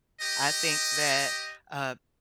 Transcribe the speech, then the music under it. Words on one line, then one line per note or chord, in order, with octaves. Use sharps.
I think that, uh,
G4 D#5